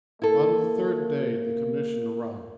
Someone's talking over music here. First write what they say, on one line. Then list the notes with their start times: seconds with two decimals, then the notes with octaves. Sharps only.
On the third day the commission arrived.
0.22 A#3 E4 A4